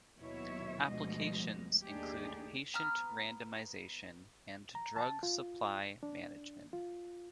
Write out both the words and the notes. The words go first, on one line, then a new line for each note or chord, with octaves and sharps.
Applications include patient randomization and drug supply management.
D#2 B2 F#3 E4 C#5 E5
D2 B2 F3 G3 G#3 D#5
D#2 A3 D4 D#4 G4 G#4
B3 A#5 E6 F6
A#5
A5
F4
D4
F4